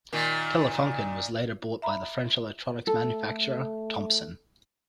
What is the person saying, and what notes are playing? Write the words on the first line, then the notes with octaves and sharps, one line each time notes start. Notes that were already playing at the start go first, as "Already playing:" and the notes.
Telefunken was later bought by the French electronics manufacturer Thomson.
A#2 D#3
E5 A#5 B5
A3 A4